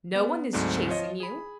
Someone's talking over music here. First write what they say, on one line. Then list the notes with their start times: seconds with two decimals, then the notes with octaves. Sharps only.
No one is chasing you.
0.15 B3
0.53 D2 G#2 D3 F#3 C4 D4
0.88 F3 F4 C#5 D#5
1.20 G#4 B5